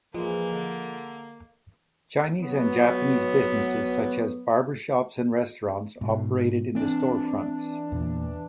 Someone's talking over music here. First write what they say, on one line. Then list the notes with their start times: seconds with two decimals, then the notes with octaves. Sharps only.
Chinese and Japanese businesses such as barbershops and restaurants operated in the storefronts.
0.14 E3 F3 G#3 A#3
0.51 D3
2.40 F#3 B3
6.01 G#2 B2
6.75 E3 C4 D4
7.92 E2 A#2